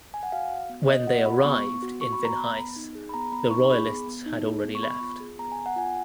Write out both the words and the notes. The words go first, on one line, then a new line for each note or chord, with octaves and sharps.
When they arrived in Vinhais the royalists had already left.
G#5
F#5
F#4 F5
F#4
B3
B3 D#5
F#4 F#5
F#4 B5
B3 C#6
B3
F#4
F#4 C#6
B5
B3
A#5
B3 B5
B3
D#4
G#4
B5
B3 A#5
B3 B5
D#4 C#6
G#4 B5
B3
B3
D#4
G#4
B3
C#6
B3 B5
F4
G#4
B3 A#5
G#5
B3
F#5
F4 G#5